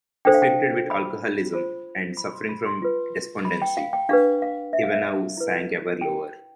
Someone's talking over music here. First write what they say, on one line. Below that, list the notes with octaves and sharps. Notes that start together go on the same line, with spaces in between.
Afflicted with alcoholism and suffering from despondency, Ivanov sank ever lower.
D4 A4 C5 G5
F5
G5
B5
F4 C5
B5
C6
B5
C6
F4 B4
B5
G5
F5
G5
D4 G4 B4 F5
F5
E5
F5
E5
E4 B4
G5